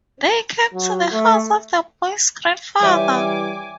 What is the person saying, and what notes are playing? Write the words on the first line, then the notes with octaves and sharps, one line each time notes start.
They came to the house of the boy's grandfather.
F#3
A3
E3 G3 C#5 E5 G5 G#5 D6